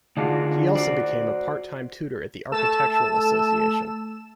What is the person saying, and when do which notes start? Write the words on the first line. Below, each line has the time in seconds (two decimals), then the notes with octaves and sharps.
He also became a part-time tutor at the Architectural Association.
0.17 D3 D4 D#4 F4 F#4 G#4
0.75 F#4 C5 D5
2.52 A3 A5 E6 E7